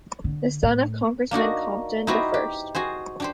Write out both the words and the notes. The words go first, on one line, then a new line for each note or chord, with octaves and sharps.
The son of Congressman Compton the First.
D3
A2
A#3 D4 D#4 F#4
D#4 E4 F#4 G4 B4 C5
G4
F#4 G#4 C5
D4 G4 C5